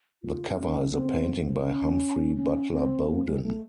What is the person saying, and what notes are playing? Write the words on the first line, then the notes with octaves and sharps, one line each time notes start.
The cover is a painting by Humphrey Butler-Bowden.
F4
D4
C#4
C4
C#4
C#4
C4
A#3
G#3
A3